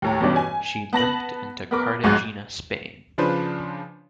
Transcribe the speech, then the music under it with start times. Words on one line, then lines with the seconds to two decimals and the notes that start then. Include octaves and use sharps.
She limped into Cartagena Spain.
0.02 D#2 A2 A#5
0.21 E2 G2 B2 C#4 D4
0.36 G#5
0.93 B3 A5 A#6 F#7
1.71 B3 A#4 D6
2.03 B1 G#2 G#3 F#4 F#6 A6
3.18 C#3 F3 D4 F4 B4 C5